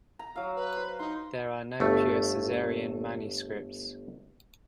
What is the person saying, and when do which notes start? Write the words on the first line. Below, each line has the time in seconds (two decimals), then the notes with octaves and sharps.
There are no pure Caesarean manuscripts.
0.19 A#5
0.36 F#3 F5
0.56 B4
0.76 C5
0.99 D#4 C6
1.80 G1 A3